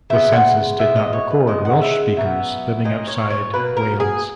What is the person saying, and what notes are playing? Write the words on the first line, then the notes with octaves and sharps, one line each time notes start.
The census did not record Welsh-speakers living outside Wales.
C#3 G#3 B3 E5
F#5
B2 G#3 B3 E5
D#5
C#5
B4
C#3 G#3 B3 D#5
F#5
E5
B2 F#3 B3 E5
A#2 A#3 D#5
C#5
C#5
B2 F#3 A#3 B4
A#4
G#4